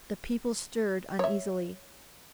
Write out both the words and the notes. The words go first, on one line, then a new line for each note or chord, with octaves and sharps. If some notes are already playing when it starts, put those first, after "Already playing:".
The people stirred uneasily.
C#5 E5